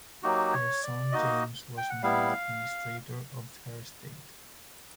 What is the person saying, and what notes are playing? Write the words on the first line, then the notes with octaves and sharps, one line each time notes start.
Her son James was named administrator of her estate.
F#3 A#3 D#4 F#4 G4
C#5
D5
A#3 D#4 F#4 D#5
G5
F#5
G3 B3 E4 F5